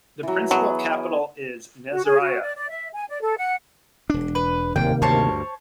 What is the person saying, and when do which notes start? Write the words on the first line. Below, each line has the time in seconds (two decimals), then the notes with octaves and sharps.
The provincial capital is Nasiriyah.
0.23 E3 F#3
0.51 F#3 B3 G#4
1.91 F#4
2.05 G#4
2.21 F#4
2.42 D5
2.56 D5
2.70 E5
2.94 G#5
3.09 D5
3.21 A4
3.37 F#5
4.10 E1 D4
4.35 B4
4.76 D1 G#2 C3 D#3 A#3 G5
5.02 D2 G2 C5 C#5 A5